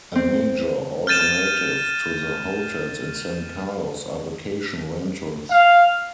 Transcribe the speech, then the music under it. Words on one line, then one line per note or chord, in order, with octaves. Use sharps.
A major alternative to the hotels in San Carlos are vacation rentals.
C4
F6 G6 A6 D#7 E7
F5